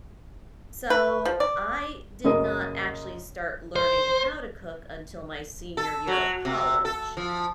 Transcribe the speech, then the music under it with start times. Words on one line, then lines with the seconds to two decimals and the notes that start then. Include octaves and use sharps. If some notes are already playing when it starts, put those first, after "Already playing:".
So, I did not actually start learning how to cook until my senior year of college,
0.90 B4
1.25 F3
1.40 D5
2.24 F#2 C#3 A#3 D#5 D#6
3.76 C5
5.77 A4
6.07 F#3
6.45 C3
6.85 A4
7.17 F3